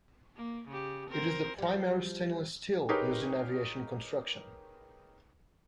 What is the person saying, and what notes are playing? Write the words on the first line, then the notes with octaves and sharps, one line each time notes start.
It is the primary stainless steel used in aviation construction.
A#3
C#3 G4
C4 A#4 C5
F3 G3
D#4 G4 G#4 A#4 B4 C#5